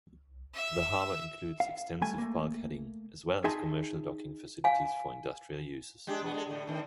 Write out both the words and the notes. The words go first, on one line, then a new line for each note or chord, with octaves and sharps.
The harbor includes extensive bulkheading, as well as commercial docking facilities for industrial uses.
E5 E6
F5
G3 A3 G#5
A3 A#3
D#4 G#4 E5 G#5 A5 C6
F5 G#5
G#3 D4 G4
E2 B2 B3
G#3 A4
A2 D3
A2 D#3 C4